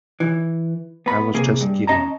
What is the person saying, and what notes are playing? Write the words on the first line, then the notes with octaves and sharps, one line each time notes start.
I was just kidding!
E3
B3 B5
C3 A#3 G#4
G2
C#4 D#5 A5 A#5